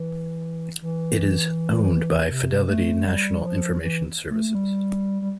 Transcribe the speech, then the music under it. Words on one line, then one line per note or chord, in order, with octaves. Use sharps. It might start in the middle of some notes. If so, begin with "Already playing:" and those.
It is owned by Fidelity National Information Services.
Already playing: E3
E3
C3
A3
G3
F3
E3
A3
A3
G3
G3